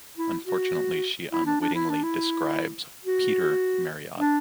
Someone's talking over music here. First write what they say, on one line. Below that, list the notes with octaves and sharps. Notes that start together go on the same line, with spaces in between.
Unfortunately, she unwittingly describes "Peter Merriot".
E4
F#4
E4
D4
D4
E4
D4
E4
F#4
D4